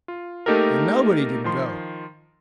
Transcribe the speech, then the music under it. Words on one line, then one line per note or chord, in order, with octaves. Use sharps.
And nobody didn't go.
F4
A3 A#3 D#4 G4 A4 A#4
D#3 F3 C6